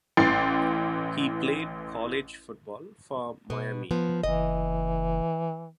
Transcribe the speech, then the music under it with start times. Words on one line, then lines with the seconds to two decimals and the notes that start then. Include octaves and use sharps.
He played college football for Miami.
0.17 A1 E3 G5 C6 A6 C7
3.50 B2 B3
3.91 F3 B3
4.23 F#1 E3 D#5